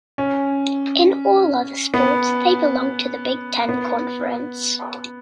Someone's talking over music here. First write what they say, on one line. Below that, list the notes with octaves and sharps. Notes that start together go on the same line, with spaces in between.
In all other sports, they belong to the Big Ten Conference.
C#4
B3
B3